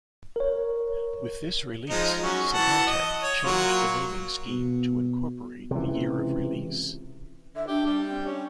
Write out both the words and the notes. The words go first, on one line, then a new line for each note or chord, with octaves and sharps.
With this release, Symantec changed the naming scheme to incorporate the year of release.
A#4 C#5
F3 G#3 D#4
F#3 C#4
E3 F#5 A5
D#5
C#5
F#3 A#3 F4
B2
C#2 C3 E3
D3 E5
D4 G4
G3
C4
C#4